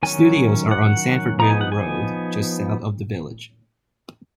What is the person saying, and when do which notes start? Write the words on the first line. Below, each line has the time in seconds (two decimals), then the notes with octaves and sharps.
Studios are on Sanfordville Road, just south of the village.
0.03 D#3 F#3 C#4 G#5
0.71 F#5
1.39 F3 B3 D#4 A#5
1.50 G#5
1.61 F#5
1.72 G#5